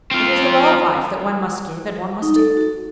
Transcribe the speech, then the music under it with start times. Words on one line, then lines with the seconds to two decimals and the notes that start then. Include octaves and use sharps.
It is the law of life that one must give, and one must take.
0.11 C4 F4
2.22 D#4
2.36 A4
2.57 F#4